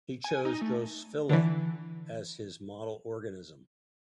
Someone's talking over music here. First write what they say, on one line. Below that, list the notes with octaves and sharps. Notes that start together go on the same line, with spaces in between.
He chose "Drosophila" as his model organism.
G#5
D#4
A3
D3 E3